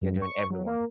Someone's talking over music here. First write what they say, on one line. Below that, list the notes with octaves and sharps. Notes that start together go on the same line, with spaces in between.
you're doing everyone
F#2
C#6
F#3
A#3